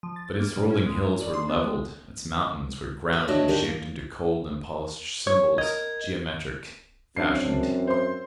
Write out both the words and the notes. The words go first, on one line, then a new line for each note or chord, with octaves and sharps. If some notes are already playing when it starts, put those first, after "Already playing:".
But its rolling hills were leveled, its mountains were ground and shaped into cold and polished symbols--geometric, fashioned.
F3
A6
A6
A#3
A#2
C#4
G#3
C#5
D5
C6
B3
G#3
B4
D4 F#4 C#5 D#5 E5
D#3 A#3 D4 G4 A#4 C5
A#3
C#5
A#4 D#5 G#6
F#2 E3 G#3 C4 D4 C7
C5 C6